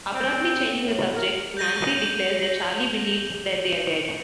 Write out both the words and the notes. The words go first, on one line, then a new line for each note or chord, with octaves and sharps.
Abruptly changing the subject, Nancy declares that Charlie believes that they are dead.
C4
A2
A#4
G6 A#6 D#7